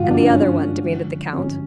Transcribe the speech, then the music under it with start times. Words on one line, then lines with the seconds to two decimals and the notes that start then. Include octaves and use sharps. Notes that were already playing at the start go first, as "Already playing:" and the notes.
"And the other one?" demanded the count.
Already playing: G2 D3 F3 G#3 F4 F#4
0.11 D4
0.27 C#4
1.33 C#4